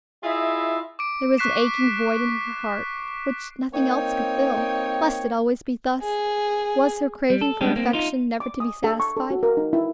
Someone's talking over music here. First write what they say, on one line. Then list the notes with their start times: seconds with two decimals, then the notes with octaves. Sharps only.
There was an aching void in her heart which nothing else could fill; must it always be thus? was her craving for affection never to be satisfied?
0.23 E4 F4 G#4 D#5 E5
0.99 D6 D7
1.38 C#6 F#6 B6 C7 E7
3.73 A#3 C4 D#4 C#5 G5
6.02 G#4
7.30 G3
7.41 A4
7.61 G3 G#3 C#4 D4 G4
7.76 A#3 C4
7.93 D#4 F4
8.40 D6
8.60 D#6
8.84 A4
9.00 C#6
9.17 A4
9.31 F#4
9.43 A#4
9.57 D#4
9.73 E4